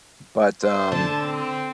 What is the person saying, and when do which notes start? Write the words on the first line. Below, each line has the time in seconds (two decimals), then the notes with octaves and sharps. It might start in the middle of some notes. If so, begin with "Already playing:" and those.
But, um,
0.62 C5
0.92 D3 A5
1.21 C4